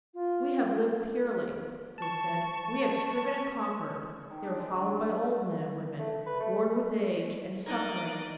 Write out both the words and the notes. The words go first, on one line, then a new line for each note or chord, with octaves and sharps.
"We have lived purely," they said, "we have striven and conquered." They were followed by old men and women, worn with age and suffering.
F4
A5 C#6
D#3
D4
G#3
G#5
A3
B4
A3
D4 D#4 A#4 D5 D#5